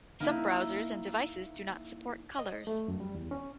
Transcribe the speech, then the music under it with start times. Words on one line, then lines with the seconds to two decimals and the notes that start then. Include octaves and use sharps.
Some browsers and devices do not support colors.
0.20 A#3 D#4 E4
2.39 D#5
2.67 A3
2.88 F#2
3.00 G3
3.15 E2
3.31 C#4